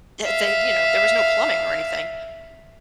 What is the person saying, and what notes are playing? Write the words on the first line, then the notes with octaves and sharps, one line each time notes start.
eh they, you know, there was no plumbing or anything,
E5 F5